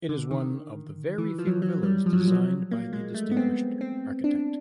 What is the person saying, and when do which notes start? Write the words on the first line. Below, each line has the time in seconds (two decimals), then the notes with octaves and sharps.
It is one of the very few villas designed by the distinguished architect.
0.09 D3
0.31 D#3
1.18 E3
1.39 F3
1.47 F#3
1.62 F#3
1.83 G3
2.06 F3
2.13 F#3
2.20 F3
2.28 F#3
2.71 A#3
2.93 G#3
3.14 A3
3.31 B3
3.37 C4
3.81 C4
4.24 D4